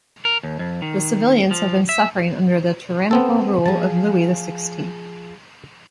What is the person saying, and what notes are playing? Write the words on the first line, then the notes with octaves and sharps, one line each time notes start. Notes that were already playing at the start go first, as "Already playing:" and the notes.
The civilians have been suffering under the tyrannical rule of Louis, the sixteenth.
A#4
D#2
F2
D#3
F3
E5
B3 C4 A4
F3 G#4 A5